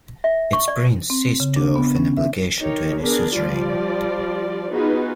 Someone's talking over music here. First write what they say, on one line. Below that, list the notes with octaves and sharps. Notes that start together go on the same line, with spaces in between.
Its prince ceased to owe an obligation to any suzerain.
E5
C#6
D5
C4
C#3
D4
B3
C#4
E5
D#4 G4 A#4 C#5
B3 D4 G#4 A#4
F3 G3 F4 D5
B3 D#4 F4 F#4 G#4 B4